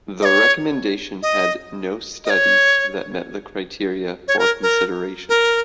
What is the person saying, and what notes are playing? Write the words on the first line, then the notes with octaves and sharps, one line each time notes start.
The recommendation had no studies that met the criteria for consideration.
D#5
C#5
D#5
D#5
C#5
C#5
A#4
A#4
A#4